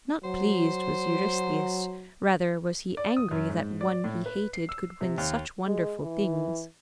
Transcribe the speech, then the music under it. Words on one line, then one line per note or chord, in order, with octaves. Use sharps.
Not pleased was Eurystheus; rather was he angry that one he hated could win such wonderful things.
F#3 C5
D5
D#6
F#2
G#2
D5
A2
B4
C7
E6
C3
D#2
G#3
E3